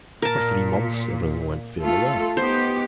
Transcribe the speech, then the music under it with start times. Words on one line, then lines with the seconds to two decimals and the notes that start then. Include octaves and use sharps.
For three months everything went fairly well.
0.22 A#2 A#4 A5
1.81 A3 F4 A4
2.37 B3 D#4 G4 C5